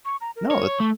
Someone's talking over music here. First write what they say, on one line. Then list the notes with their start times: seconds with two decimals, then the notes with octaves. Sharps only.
No that
0.05 C#6
0.21 A#5
0.36 A#4
0.51 C#5
0.65 C#6
0.80 A3